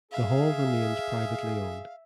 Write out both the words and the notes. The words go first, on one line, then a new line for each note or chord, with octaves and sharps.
The hall remains privately owned.
G#4 E5 F5